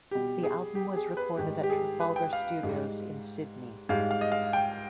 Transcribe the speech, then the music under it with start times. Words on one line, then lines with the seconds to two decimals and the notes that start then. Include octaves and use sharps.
The album was recorded at Trafalgar Studios in Sydney.
0.11 B2 G3 G4
0.43 G#4
0.75 G4
0.96 G#4
1.17 B4
1.37 G#2 D#3 G3 G4
1.63 G4
1.70 G#4
2.00 B4
2.16 G5
2.33 F5
2.63 G#2 G3
3.89 G#2 G3 F5
4.11 F5
4.21 D#5
4.32 F5
4.53 G5